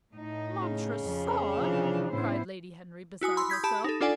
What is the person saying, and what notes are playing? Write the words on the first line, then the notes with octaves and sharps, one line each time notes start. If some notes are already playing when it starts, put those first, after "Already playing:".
"Montresor!" cried Lady Henry, beside herself.
A2 D#4
C#3
F2
C3 E3 F3 D4
A2 B3 C#4 D4 E4 C5
E4 F#4 G#5 D#6
B5 C6 E6
D#6 G6 G#6 B6
G4 A5 B5 E7
D#4 A4
D4 F4 A4 D5 F#5 G#5